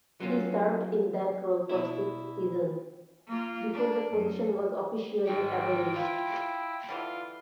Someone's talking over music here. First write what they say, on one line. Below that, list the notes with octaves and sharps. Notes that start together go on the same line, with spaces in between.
He served in that role for six seasons, before the position was officially abolished.
F#3 A#3 C4 C#4 F4
B2 D4 E4
A#3 F4
D4
F#2
G#2 D#3 G5
E4 F4
D3 E3 G3 F4